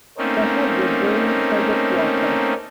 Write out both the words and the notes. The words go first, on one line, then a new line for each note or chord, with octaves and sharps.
The head was William Frederick Walker.
A3 A#3 C4 C#4 D#4